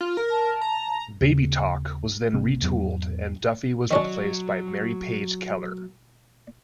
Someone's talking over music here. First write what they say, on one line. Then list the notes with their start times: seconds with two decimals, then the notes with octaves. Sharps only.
'Baby Talk' was then retooled and Duffy was replaced by Mary Page Keller.
0.01 F4
0.17 A#4
0.31 A5
0.61 A#5
1.21 D#2 C#3 C4
2.33 G#1 C3 A#3 C4
2.62 E2 G#2 F#3 B3
3.91 D#3 F#3 C#4 D4